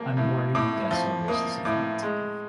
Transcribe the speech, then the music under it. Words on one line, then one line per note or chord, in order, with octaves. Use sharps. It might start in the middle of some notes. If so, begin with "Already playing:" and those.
A memorial in Guise celebrates this event.
Already playing: F3 A#3
A2
A2 D6
F3
A#3 D#6
A2 D6
G#3